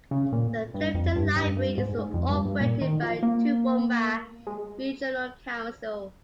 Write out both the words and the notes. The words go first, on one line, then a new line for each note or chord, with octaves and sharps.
The Clifton Library is operated by the Toowoomba Regional Council.
C#3
A#2
G2
F2
G2
G2
G2
G#2
G#2
F2
G2
G2
A#2
D#3
F3
A#3
G#3